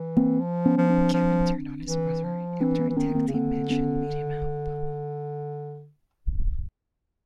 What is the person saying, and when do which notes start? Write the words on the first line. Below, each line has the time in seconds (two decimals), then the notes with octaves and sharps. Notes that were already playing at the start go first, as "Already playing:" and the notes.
Kevin turned on his brother after a tag-team match and beat him up.
Already playing: E3
0.17 A#3 C4
0.41 F3
0.66 B3 C#4
0.78 F3
0.90 C4 D4
1.14 F3
1.87 E3
2.25 F3
2.60 E3 C4 D4
2.79 B3 C#4
2.89 E3
2.97 D#3 B3 C#4
3.09 B3
3.15 A#3 C4
3.28 C#3
3.34 D3 A#3 C4
3.70 B3 C#4